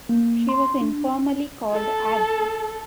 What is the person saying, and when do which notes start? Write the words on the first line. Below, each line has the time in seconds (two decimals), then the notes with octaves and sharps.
She was informally called Abby.
0.09 A#3
0.49 C6
0.81 D4
1.71 A4